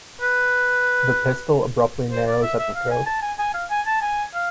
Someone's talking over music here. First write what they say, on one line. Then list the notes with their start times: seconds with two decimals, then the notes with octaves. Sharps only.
The pistil abruptly narrows at the throat.
0.21 B4
2.11 C5
2.28 D5
2.43 E5
2.59 E5
2.75 F5
2.91 G#5
3.06 A5
3.22 G#5
3.39 G#5
3.54 F5
3.70 G#5
3.86 A5
4.02 G#5
4.34 F5